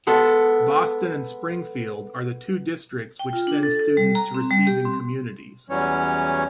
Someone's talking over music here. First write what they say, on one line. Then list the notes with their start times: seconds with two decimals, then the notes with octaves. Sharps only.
Boston and Springfield are the two districts which send students to receiving communities.
0.07 G#3 B3 A4
3.19 G5
3.33 F4
3.47 D4
3.63 A4
3.79 A4
3.97 G3
4.15 A#5
4.34 C4
4.51 G3
4.67 G4
4.85 C4
5.70 E2 E3 F#3 G3 C#4 C#5